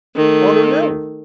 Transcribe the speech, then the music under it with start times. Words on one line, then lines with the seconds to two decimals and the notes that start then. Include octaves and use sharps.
"I don't know."
0.16 D#3 A3